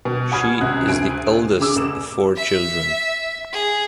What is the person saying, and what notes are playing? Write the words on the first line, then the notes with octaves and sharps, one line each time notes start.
She is the eldest of four children.
B2
F#5 G#5 B5 D#6 F6 G#6
C#2 C3 F#6 G#6
D2 C3 G#5 D7
C#3 G#4 D6 E6
F1 E7
E5
G#4